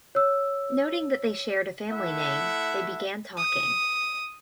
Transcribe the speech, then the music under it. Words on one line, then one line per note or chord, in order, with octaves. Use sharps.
Noting that they shared a family name, they began talking.
C#5 E6
A3 E4 E5 F#5
D#6